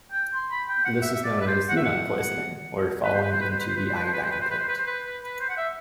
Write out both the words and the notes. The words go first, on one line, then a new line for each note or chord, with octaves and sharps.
This is known as xenon-poisoning or "falling into an iodine pit".
G5
C6
B5
G5
F#5
E5
E5
D5
B4
C5
F#5
E5
F#5
B4
C5
B4
C5
B4
C5
B4
C5
B4
C5
B4
C5
B4
C5
B4
C5
B4
C5
B4
C5
B4
B4
B4
C5
F#5
E5